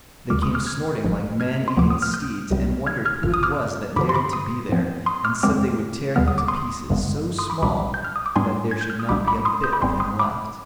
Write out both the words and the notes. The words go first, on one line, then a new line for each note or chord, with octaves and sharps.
They came snorting like man-eating steeds, and wondered who it was that dared to be there, and said they would tear him to pieces, so small that there should not be a bit of him left.
D#2 D3 G#3 D6 F6
C6 D#6
D6 F6
F6 G#6
G1 G2 F3 G#3
F6 G#6
C6
D2 C3 F3 B3 D6
D#6
F6
D#6 G6
C2 C3 G3 C4
F6 G#6
F6 G#6
G#1 G2 D3 F6
D#6
D6 F6
G2 D3 F3 B5 D6
C6
B5 D6
C6 D#6
G#2 F3 C4
C6 D#6
D6 F6
F2 D#3 G#3 C4 D6 F6
D#2 D3 G3 B3 F6
D#6
D6
C6 D#6
G1 G2 D3 G#3 B3
C6 D#6
B5 D6
B1 B2 G3 D4 B5 D6
G6
F6
D#6
D6
G#2 G3 B3 D4 G#5 C6
G#6
G6
F6
D#6
B1 B2 G3 D4 B5 D6
B5 D6
C6 D#6
D#6 G6
B5 D6
G#1 G#2 G3 C4 G#5 C6
C6 D#6
B5 D6